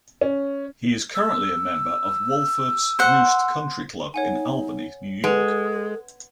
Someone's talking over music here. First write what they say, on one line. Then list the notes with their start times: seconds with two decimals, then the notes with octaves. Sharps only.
He is currently a member of Wolferts Roost Country Club in Albany, New York.
0.21 C#4
1.15 E6
2.99 C5 F#5
4.14 D#4 C#5 F#5 G#5
5.24 G#3 A4 B4 F#5 F7